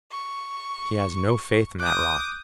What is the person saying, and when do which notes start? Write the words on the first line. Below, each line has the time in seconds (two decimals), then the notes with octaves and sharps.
He has no faith in that rot.
0.12 C#6
1.80 D6 D#6 F#6 G6